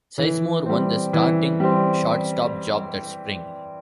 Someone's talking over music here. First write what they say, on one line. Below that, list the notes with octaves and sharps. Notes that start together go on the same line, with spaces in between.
Sizemore won the starting shortstop job that Spring.
E3
G3 C4
E3
G3 C4